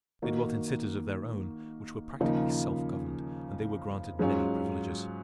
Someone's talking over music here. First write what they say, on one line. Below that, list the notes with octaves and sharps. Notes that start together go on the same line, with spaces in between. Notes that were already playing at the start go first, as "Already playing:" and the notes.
They dwelt in cities of their own which were practically self-governed, and they were granted many privileges.
D#3 A#3 D#4 F#4
D#2 C#3 F3 A#3 D#4
G#2 F#3 C#4 F4